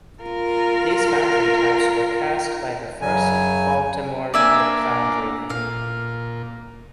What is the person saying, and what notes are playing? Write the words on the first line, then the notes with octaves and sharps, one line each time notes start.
These foundry types were cast by the first Baltimore Type Foundry.
F4 A#4
F#2 C#3 F#3 G#5
A#3 D4 D5 E5 G#5
A#2 F5